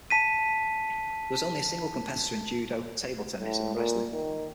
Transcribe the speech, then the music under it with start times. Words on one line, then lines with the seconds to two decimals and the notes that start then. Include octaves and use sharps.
There was only a single competitor in judo, table tennis, and wrestling.
0.10 A5 B6 D#7
3.39 A2
3.75 A#2
4.12 D#3